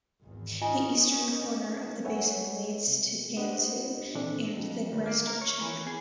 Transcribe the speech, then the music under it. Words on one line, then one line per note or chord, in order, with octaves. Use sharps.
The eastern corner of the basin leads to Gansu and the rest of China.
G#1 E2
C#4 D#4 F4 D#5 G#5
A4 B4 C#5 E5 F#5 G#5
C3
D4 G4 B4 C5 D#5 F#5
A#2 E3 C4 D4 A4
F2
D2
A#3
A#4
C#5
E3
G#4